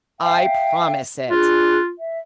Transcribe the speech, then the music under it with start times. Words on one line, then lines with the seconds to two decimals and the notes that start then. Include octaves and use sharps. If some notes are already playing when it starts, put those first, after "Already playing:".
"I promise it."
0.19 E5 F5 G5
1.30 D4 F4 G#4 F#6
1.98 E5